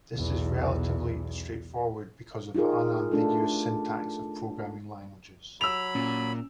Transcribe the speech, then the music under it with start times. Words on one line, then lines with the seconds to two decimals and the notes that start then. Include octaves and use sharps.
This is relatively straightforward because of the unambiguous syntax of programming languages.
0.15 B1 E2
2.55 D#4 F4 G4 G#4 A#4
3.11 A3 D4 F4 A4
5.61 F#3 B5 E6 F7
5.95 A#2 C#4